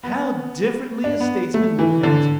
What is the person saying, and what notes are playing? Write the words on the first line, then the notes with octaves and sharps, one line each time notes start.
How differently a statesman would have answered!
B3
D4
B3
A3
E3
D3